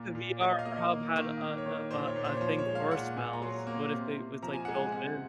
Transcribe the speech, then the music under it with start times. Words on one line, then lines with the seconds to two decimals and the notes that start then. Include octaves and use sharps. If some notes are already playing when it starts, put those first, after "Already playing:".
if the VR hub had, uh, uh, uh, a thing for smells? What if it was, like, built in?
Already playing: A#2 A#3
0.15 A#2
0.40 F#3 D#5
0.59 F5
0.65 A#3 D#5
0.90 A#3
1.16 D#3
1.41 A#3
1.58 C#5
1.66 D#3
1.91 A#2 C5
2.08 C#5
2.16 A#2
2.25 C5
2.37 C#5
2.41 F3 C5
2.58 C#5
2.66 G#3
2.75 F5
2.91 A#2 F#5
3.17 A#2 G#5
3.33 A#5
3.42 F#3 C6
3.67 A#3
3.92 C3
4.17 C3
4.43 F3 A#5
4.54 G#5
4.65 G#3 F#5
4.75 G#5
4.92 C3 F#5